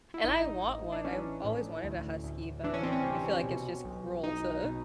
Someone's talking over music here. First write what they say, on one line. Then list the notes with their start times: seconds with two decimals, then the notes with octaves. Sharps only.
and I want one, I've always wanted a husky, but I feel like it's just cruel to
0.14 E4
0.24 A1 D#4
0.64 A1
0.92 D4
1.04 E3 C#4
1.44 A2
1.84 D2
2.24 D2
2.64 E3 D4
2.74 C#4
2.83 C4
2.92 C#4
3.04 C3
3.44 B2
3.84 B1
4.24 B1 D#4
4.64 B2